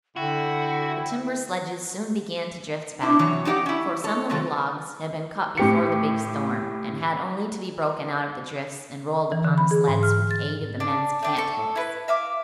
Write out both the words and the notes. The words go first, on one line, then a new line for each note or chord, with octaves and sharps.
The timber sledges soon began to drift back, for some of the logs had been cut before the big storm, and had only to be broken out of the drifts and rolled upon the sleds with the aid of the men's canthooks.
D3 E4 F#4 G5
D4 E4
C3 E3 F#3 C#5
F2 D#4 G4 D5 F#5
C#4 E4
A4 C#5
C3 D#3 F#3 F4 A4
A2 G4 C#7
E3
D3
B5
G#4
G#2
F6
A6
D4
A3 D4 G5
A4 C#6
E4 B4
E5 F5 D6